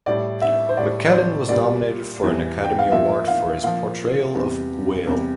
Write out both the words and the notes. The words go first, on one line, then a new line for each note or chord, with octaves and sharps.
McKellen was nominated for an Academy Award for his portrayal of Whale.
A2 G3 D5
E5
C5
A2 G3 D5
D5
C5
A#2 G3 D5
E2 E3 G3
G5
F5
A#2 F3 E5
F5
A#2 F3 F5
E2 C3 G3
E2 C3 G3